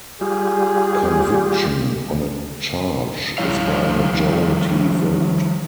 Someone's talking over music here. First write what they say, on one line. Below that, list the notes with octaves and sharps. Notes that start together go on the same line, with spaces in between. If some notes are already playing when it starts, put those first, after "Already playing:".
Conviction on a charge is by majority vote.
G3 F4 G4 G#4
F3 G3 E4 C#5 F5